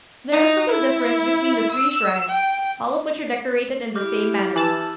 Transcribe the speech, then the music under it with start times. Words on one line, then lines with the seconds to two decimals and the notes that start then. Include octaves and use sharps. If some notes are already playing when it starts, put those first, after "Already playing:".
There is little difference between the three shrines, all of which are decorated in the same manner.
0.32 D#4
0.71 E4
1.71 E6
2.29 G5
3.95 E4 G4 D6 F6 G6
4.56 E3 A5 E6 F#7